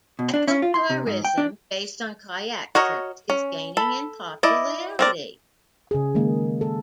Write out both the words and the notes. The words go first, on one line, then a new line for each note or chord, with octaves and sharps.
Ecotourism based on kayak trips is gaining in popularity.
B2
D4
C#4
F4
C6
C3
G#2
G5
D4
F#4 A#4 C#5 D#5
C#4
A4 B5
E4 D5 D#5
C4 A#4 D5
C#3 G#4
D#3 G#3 A#3
A4